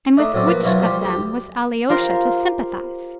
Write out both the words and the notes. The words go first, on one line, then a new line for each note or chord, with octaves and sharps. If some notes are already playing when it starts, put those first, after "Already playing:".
And with which of them was Alyosha to sympathize?
A3 D4 D#4
A2 F#3 C4 C#4 D5
F3 A#3 B4
B1 E3 F#3 F4 C#5 A5
F3 G3 F4 G4
D2 G4
F4 G4 A#4 C5